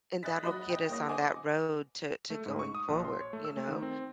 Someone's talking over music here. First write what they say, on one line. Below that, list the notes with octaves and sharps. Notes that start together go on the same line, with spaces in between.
And that'll get us on that road to to going forward, you know?
D#5 F#6 A6 B6
F#3 D#5 B5
D#5 G5
C2 A#3 C#5 D#6 A#6
C5 D#5 F#5 G#5 D6
A3
G#2
C#6
D#6
A#1
C6
C#5
A3
E6
A3
D#3
C4